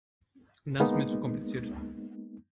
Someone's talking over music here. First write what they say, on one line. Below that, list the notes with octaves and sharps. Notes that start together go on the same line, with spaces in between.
Das ist mir zu kompliziert.
G#3 A#3 B3 D#4